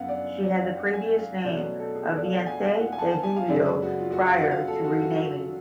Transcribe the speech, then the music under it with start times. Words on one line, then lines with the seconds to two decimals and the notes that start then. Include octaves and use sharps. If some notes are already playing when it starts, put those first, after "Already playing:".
She had the previous name of Veinte de Julio prior to renaming.
Already playing: F#2 B3 F5 F#5
0.09 D5
0.43 D5
0.59 F5
0.77 F#5
0.94 G#5
1.19 F5
1.45 B2 F#3 A3 C#4 D5
1.62 B4
1.79 A4
1.95 G#4
2.08 A4
2.16 D5
2.22 F5
2.34 F#5
2.46 G#5
2.64 F5
2.80 F#5
2.92 G#5
2.98 A5
3.11 A5
3.23 G#5
3.36 F5
3.48 F#2 C#3 G#3 C#4 D5
3.66 B4
3.82 F#4
3.99 F4
4.12 F#4
4.25 F5
4.38 F#5
4.51 F5
4.67 A4
4.84 F#4
5.02 F#4